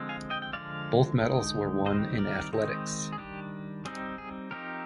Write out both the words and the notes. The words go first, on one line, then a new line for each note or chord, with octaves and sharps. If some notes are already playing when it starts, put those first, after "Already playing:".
Both medals were won in athletics.
Already playing: D3 F3 G#3 C4
F5 G#5
D#5 G5
G5
D3 F3 G#3 D5 F5
D3 G#3 D#4
D#3 G3 C4 D#4 C5 D#5
A#4 D5
D#3 G#3 C4 D#4
G#4
D#3 G3 D4 G4
G3 C4 D#4 G#4
G#4
F3 C4 D#4 G4 A#4